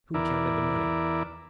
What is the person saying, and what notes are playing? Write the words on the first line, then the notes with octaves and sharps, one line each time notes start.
Who counted the money?
E2 E4 A#4 D5